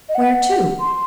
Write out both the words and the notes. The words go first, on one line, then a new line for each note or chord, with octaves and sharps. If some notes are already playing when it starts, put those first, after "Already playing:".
"Where to?"
D#5
F#5
C6